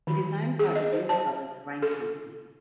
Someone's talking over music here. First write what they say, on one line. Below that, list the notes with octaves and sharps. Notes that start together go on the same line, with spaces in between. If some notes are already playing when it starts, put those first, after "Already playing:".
It is owned by the Wheeler Brothers Grain Company.
D#3
G#4
D#5
C5
A5
A4